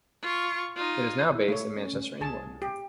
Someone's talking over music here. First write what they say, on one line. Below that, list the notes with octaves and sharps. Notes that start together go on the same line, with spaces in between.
It is now based in Manchester, England.
F4 C#6
D#4 F4
E4
A3 C#5
C#4
C2 G#4 A5
G4